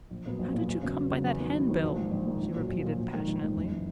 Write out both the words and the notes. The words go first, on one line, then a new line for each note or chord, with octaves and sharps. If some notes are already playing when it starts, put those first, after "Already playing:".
"How did you come by that handbill?" she repeated, passionately.
A#1
A#2 F#3 B3
A#1
A#2 F#3 B3
E2
C#3 F#3 B3
E2
C#3 F#3 B3
E2
D#3 F#3 B3
E2
D#3 F#3 B3
A#1
G#2 D#3
A#1
G#2 D#3
A#1
A#2 F#3
A#1
A#2 F#3
A#1
G#2 D#3
A#1
G#2 D#3
F#1
E3